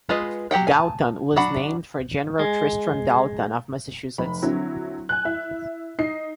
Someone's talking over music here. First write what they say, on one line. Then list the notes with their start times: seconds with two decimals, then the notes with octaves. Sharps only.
Dalton, was named for General Tristram Dalton of Massachusetts.
0.09 G#3 F4 B4 D#5
0.51 F#3 G4 F#5 G5
0.67 G#5 A5
1.36 F#3 D4 F#4 F#5 B5
2.39 G#3
4.18 F1 B5
4.42 D3 F#3 C4 E4
5.09 G#5 F#6
5.25 E4 E5
5.99 D#4 C7